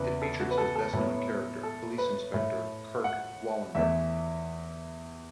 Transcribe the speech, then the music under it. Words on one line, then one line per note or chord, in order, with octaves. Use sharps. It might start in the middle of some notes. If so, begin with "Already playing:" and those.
It features his best-known character, police inspector Kurt Wallander.
Already playing: E2 C#3 E3 B3 B4
A4
F#4
B4
A4
A4
A2 F#3 B3
A4
B4
A2 A3
F#5
E2 E3 A3 E5